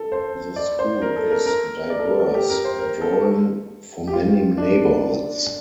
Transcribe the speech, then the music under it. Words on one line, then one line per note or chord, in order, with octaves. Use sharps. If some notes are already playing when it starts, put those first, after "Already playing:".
The school is diverse, drawing from many neighborhoods.
Already playing: A4
C5
D5
C5
A#4
A4
A#4
A#4
D5
A4
A#4
A4
G4
A#4
C5
A#4
A4
G4
F4
D4